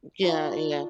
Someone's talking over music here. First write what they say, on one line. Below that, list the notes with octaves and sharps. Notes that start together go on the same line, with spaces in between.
Yeah, yeah.
D4 D#4 F4 F#4